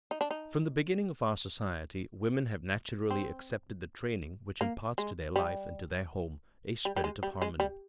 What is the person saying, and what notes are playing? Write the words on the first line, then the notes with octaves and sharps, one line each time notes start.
From the beginning of our society, women have naturally accepted the training which imparts to their life and to their home a spirit of harmony.
D#4
D4
D#4
C4
A#3
G#3
G3
G3
G3
G#3
G3
G#3
G3